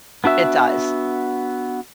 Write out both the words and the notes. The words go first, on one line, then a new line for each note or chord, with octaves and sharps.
it does.
B3 D4 F#4 E5